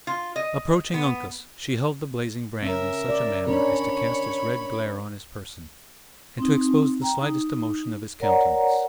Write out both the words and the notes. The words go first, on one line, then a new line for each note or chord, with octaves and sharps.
Approaching Uncas, she held the blazing brand in such a manner as to cast its red glare on his person, and to expose the slightest emotion of his countenance.
F4
D#5
B3
C#4 A#4 E5
D5
C#4 D4 A#4 C#5 B5
C4 D#4
G5 A#5
D#4
A#4 C#5 D5 F#5 A#5